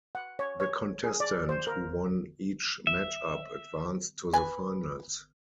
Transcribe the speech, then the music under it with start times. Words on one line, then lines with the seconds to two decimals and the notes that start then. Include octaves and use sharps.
The contestant who won each matchup advanced to the finals.
0.15 F#5
0.39 C#5
0.60 C#5
1.04 G#4
1.20 D5
1.49 C5
1.67 A#4
2.87 E5
4.33 B4 G#5